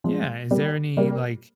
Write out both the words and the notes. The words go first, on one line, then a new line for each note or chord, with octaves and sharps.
Yeah, is there any, like,
F3 G#3
G3 A#3
G3 A#3